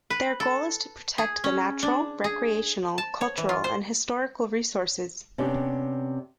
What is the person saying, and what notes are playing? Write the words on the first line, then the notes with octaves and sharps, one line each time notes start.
Their goal is to protect the natural, recreational, cultural, and historical resources.
B4
A4
G#4
C#4
D4
G#4
A5
C#5
E3
F4
C5
C3 B3 C#4 D4 G4